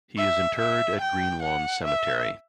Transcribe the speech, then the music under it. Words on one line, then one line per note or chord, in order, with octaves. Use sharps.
He is interred at Greenlawn Cemetery.
E5
E5
G5
F#5
E5